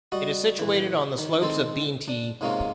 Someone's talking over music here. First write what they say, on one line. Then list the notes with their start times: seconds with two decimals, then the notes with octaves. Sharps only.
It is situated on the slopes of Beentee.
0.12 G3 F#4 D#5
0.59 A#1 E3
1.18 D#3
1.41 D#3 G#3 C4 A4 C5
2.08 D4
2.41 G#2 C3 G#3 A#3 C#4 F4